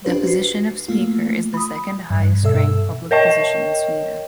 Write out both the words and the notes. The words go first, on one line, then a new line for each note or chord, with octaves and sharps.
The position of speaker is the second highest ranked public position in Sweden.
C#4 D4 F4 G4 B4 C5
F#4 C7
A3 A#3 F4
B5 D#6
G2
G2 B2 A4 E5 E6
A#4 C#5 D#5 G5